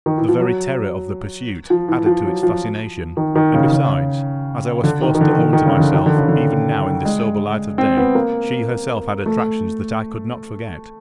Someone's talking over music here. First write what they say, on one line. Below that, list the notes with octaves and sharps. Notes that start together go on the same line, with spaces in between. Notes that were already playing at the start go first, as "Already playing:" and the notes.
The very terror of the pursuit added to its fascination, and besides, as I was forced to own to myself even now in the sober light of day, she herself had attractions that I could not forget.
D#3
E3
F3
F#3
F3
E3
F3
F#3
F3
D#3
D#3
C#3
C#3
D3
D#3
D#3
D3
D#3
D3
D#3
C#3
D3
D#3
D3
C#3
D3
G#3
C4
B3
A#3
A3